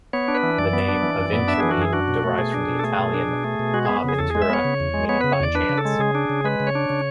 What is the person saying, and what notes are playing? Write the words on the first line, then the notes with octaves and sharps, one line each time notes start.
The name "aventurine" derives from the Italian "a ventura" meaning "by chance".
B3 C#5
D4
B4
E3
F#2 D5
B3
D4
E3
F#2
B3
D4 E5
E3 G#4
F#4
F#2 G#4
D4 F#4
B2
A3
B2 G#4
D4
B2
A4
A3 G#4
B2
D4
B2
A3
B2
G#3 F#4
B3 G#4
C#3 G#4
E2 A4
G#3 G#4
E5
B3 C#5
C#3
E2
G#3
B3 C#5
C#3 B4
C#5
E2 D5
D4 B4
C#3
A4
G#3
C#3 G#4
D4
C#3
G#3 B4
C#3
C#5
D4
C#3